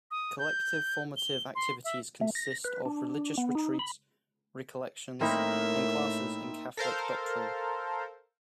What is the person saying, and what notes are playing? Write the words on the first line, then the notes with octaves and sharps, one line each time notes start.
Collective formative activities consist of religious retreats, recollections, and classes in Catholic doctrine.
D#6
G6
G7
C6
E5
A3
A#6
B4
D4
B3
D#4
B5
A2 A#3 C4 D#4 A#4 E5 B5
A4 A#4 C5 F5